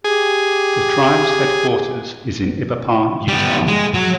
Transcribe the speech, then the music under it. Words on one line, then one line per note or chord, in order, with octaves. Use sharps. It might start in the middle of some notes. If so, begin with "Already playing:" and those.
The tribe's headquarters is in Ibapah, Utah.
G4 G#4
G3 B3
G#3
F#3